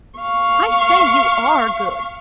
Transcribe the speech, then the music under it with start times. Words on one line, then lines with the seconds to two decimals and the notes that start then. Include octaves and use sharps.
'I say, you ARE good.'
0.19 F5 C#6